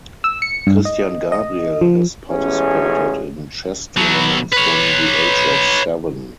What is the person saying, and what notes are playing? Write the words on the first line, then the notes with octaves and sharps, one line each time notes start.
Christian Gabriel has participated in chess tournaments from the age of seven.
E6
C#7
G2
D#5
D#5
F3
A1 E2 A2 G#3 C#4
B2 F#3
B4 C#5